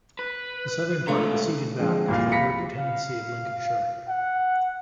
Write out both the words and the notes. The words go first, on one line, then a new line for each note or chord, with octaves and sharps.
The southern part was ceded back to the Lord Lieutenancy of Lincolnshire.
B4
E2 G#3 A3 D4 F5 C6
D3 F3 G#3 C4
C2 A#2 F5
F5 B5 A#6 B6 C#7
F5
F#5